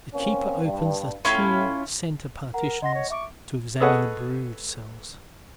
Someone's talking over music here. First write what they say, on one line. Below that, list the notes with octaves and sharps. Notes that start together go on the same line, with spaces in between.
The keeper opens the two center partitions to examine the brood cells.
A#3 C4 C#4
G2
A2 C#4 E4 F4
A#4 F#5 A#5
D#5 F#5 C6 A#6
C#5
E5 C#6 D6 D7
G#4 A4 B4 C#5 D#5 F#5